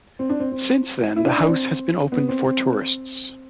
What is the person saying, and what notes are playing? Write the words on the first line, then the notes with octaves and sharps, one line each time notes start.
Since then, the house has been open for tourists.
C4
D4
C4
C4
E4
D4
D4
C4
B3
C4
C4